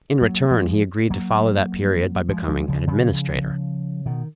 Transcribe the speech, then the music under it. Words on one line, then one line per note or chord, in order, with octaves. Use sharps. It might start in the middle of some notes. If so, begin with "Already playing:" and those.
In return, he agreed to follow that period by becoming an administrator.
F#3 A#3
F3 G#3
F#3 A#3
F3 G#3
F3 G#3
C#3 F3
C#3 F3
B2 D#3